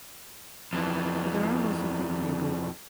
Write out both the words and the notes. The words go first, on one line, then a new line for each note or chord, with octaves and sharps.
But there are also things we agree on.
F2 E3